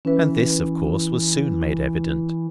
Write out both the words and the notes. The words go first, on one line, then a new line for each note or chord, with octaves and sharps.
And this, of course, was soon made evident.
E3 C#4 B4